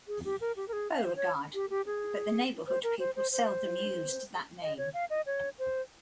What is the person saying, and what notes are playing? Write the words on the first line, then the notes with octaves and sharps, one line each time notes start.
Beauregard, but the neighborhood people seldom used that name.
G#4
G4
A#4
G4
A#4
G#4
F5
C5
C#5
G4
G4
G#4
C5
A#4
C5
C5
C5
D#5
C#5
F5
D#5
C#5
C5